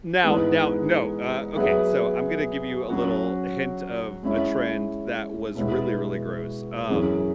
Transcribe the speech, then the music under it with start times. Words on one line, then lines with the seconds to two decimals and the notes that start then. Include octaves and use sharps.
now now no, uh, okay, so I'm gonna give you a little hint of a trend that was really, really gross, um,
0.23 G#2 E3 G#3 B3 G#4
1.56 F#3 B3 G#4 E5
2.89 F#3 C#4 F#4
4.23 G#3 C#4 E4 C#5 E5
5.55 B2 G#3 E4 B4 E5
6.88 F#2 E3 C#4 G#4